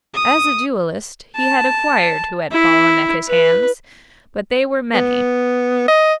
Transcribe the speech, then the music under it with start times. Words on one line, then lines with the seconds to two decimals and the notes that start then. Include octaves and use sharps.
As a duellist he had acquired who had fallen at his hands; but they were many.
0.14 D#6
1.36 A5
2.52 E4
3.28 B4
4.94 B3
5.88 D#5